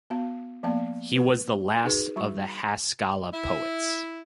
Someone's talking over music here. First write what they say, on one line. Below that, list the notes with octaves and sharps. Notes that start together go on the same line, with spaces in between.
He was the last of the Haskala poets.
B3 F#4 F5
F3 A#3 B3 D5 F5
B4
D#4 F#4 G#4 B4
G3 F#4 C#6
E4